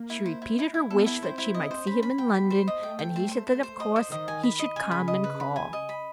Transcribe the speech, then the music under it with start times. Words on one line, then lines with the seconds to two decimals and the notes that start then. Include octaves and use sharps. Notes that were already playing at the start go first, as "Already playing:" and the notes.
She repeated her wish that she might see him in London, and he said that of course he should come and call.
Already playing: A#3
0.10 E4
0.26 C5
0.42 E4
0.59 E4
0.74 E4
0.90 B3 A4
1.06 E4
1.23 C4 C5
1.38 E4
1.54 C4 D#5
1.71 C5
1.87 C#4 B5
2.03 B5
2.18 B3 G5
2.34 B5
2.50 C5
2.68 D#5
2.83 A3 G5
2.99 G5
3.16 C5
3.31 C5
3.47 C5
3.63 C5
3.80 D#5
3.96 C5
4.11 D#3 D#5
4.28 G#5
4.43 B5
4.59 D#5
4.76 C#3 G#5
4.91 B5
5.08 D#5
5.24 B4
5.40 B5
5.56 G#5
5.73 D#5
5.89 B5